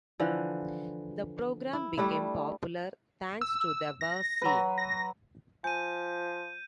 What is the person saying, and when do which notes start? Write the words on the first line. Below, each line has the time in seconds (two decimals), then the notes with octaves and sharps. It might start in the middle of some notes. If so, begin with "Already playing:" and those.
The program became popular thanks to the warez scene.
0.20 D3 E3 F3
1.73 E4
1.98 G3 A3 D4 E4
3.41 E6
4.01 A#6
4.42 F#3 B4
4.78 A#6
5.64 F3 G#5 G6 D#7